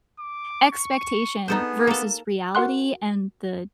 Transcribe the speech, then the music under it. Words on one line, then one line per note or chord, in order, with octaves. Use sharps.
expectation versus reality, and the d
D6
C#6
B3 D#4 G#4 A4 C5
A#3 A4
F#4 A#4 F#5 C6 F#6